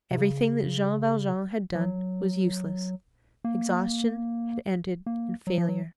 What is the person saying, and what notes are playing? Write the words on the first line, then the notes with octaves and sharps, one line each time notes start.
Everything that Jean Valjean had done was useless. Exhaustion had ended in failure.
C3
C#3
F3
F#3
A#3
A#3
F#3
F3
F#3